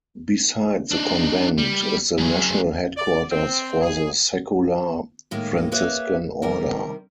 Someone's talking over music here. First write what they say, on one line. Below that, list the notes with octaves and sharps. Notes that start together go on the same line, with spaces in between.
Beside the convent is the national headquarters for the Secular Franciscan Order.
D4 D#4
G3
F#2 G#4
D5
C4
G#4
A2 D#3 G#3 A#3
A#3 G#4 B4 C#5 E5
C3 D#3 G3 A#4